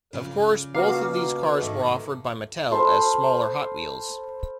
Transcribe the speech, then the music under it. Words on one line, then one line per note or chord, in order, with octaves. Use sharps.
Of course, both of these cars were offered by Mattel as smaller Hot Wheels.
C#3 F4 D5
B2 A#3 F#4 F5
G#2 D#3 A3
A4 C5 F5 B5